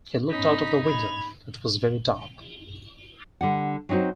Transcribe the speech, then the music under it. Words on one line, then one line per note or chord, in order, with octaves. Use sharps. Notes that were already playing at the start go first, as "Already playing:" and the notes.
He looked out of the window — it was very dark.
G#2 B3 C#4 D#4 B5 B6
G#2 B5 G#6 F7
D3 G3 F#5
F#3 C4 D#4 F#4 C5